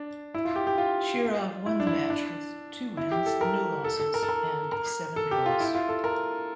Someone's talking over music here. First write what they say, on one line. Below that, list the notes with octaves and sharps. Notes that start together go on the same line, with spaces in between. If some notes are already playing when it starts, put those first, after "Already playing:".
Shirov won the match with two wins, no losses and seven draws.
Already playing: D4
E4
F4
G4
G4
F4
E4
D4
E4
D4
E4
G4
A4
A#4
A4
A4
A#4
A4
A#4
A#4
A4
G4
F4
E4
F4
A4
A#4